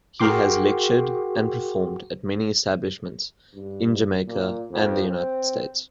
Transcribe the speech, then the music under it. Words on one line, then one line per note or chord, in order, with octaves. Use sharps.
He has lectured and performed at many establishments in Jamaica and the United States.
F#4 G#4 A#4 G5 C6 D6
G2
A#2
F2
C4